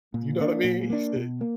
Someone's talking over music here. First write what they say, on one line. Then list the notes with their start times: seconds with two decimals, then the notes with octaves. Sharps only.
you know what I mean, he said
0.14 A#2
0.39 A#3 D4
0.64 A#2
0.90 A#3 D4
1.16 B2
1.41 A#3